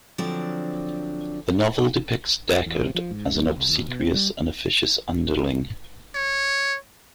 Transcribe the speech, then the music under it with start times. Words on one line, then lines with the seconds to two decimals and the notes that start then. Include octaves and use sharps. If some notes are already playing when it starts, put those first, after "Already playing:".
The novel depicts Deckard as an obsequious and officious underling.
0.18 D3 F3 F#3 C4 D4 D5
2.66 E2
2.81 C3
2.95 F3
3.11 G#2
3.30 G2
3.44 E2
3.56 C2
3.69 D#2
3.88 B2
4.00 C4
4.15 G3
6.15 C#5